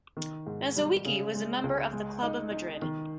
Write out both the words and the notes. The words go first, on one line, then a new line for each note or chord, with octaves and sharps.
Mazowiecki was a member of the Club of Madrid.
D#3
G#2
G3
C#3
G#3
C#2
G#3
D#4
D#4
D#3